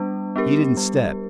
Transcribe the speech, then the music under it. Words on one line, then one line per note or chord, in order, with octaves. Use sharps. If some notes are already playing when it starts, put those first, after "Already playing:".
He didn't step.
Already playing: G3 B3 D4
B3 D4 G4 A#4
G3